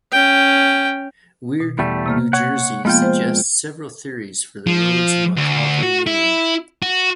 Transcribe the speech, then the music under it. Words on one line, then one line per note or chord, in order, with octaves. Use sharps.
"Weird New Jersey" suggests several theories for the road's macabre name.
C#4 G5
B2
E2 G3 A3
C3 A#3 F6
C#5 F#5 G#6
F3 G#3 A#3 B3 F4 G5
C5
F3
D2
F#4
E4
F#4